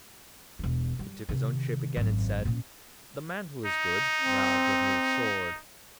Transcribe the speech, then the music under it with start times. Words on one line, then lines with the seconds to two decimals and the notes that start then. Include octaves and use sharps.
He took his own shape again, and said, 'The mantle is good; now give me the sword.'
0.59 E1 D4
0.99 G3
1.29 C3 D#3
1.97 G#1 F#2
2.45 A#2 C#4
3.66 D#4
4.22 C4